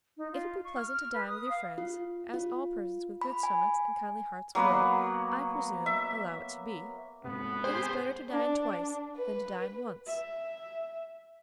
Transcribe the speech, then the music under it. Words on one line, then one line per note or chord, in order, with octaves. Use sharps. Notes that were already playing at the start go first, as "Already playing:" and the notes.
If it be pleasant to dine with your friends, as all persons with good stomachs and kindly hearts will, I presume, allow it to be, it is better to dine twice than to dine once.
D#4
F4
C#6
F6
F6
B4
D#6
F5
F4
F4
B5
G#5
F#3 A#3 B3 B4
E5
G#2 C3 B3
C4 G4 G#4 C5
D4
B4
E5